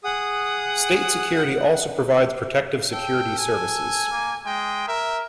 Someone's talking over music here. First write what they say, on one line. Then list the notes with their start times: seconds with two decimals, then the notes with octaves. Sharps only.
State Security also provides protective security services.
0.04 G#4 F#5 D#6
2.92 A4 G5
3.39 G#5
4.11 A#3
4.46 G#3 G5
4.88 A#4 E5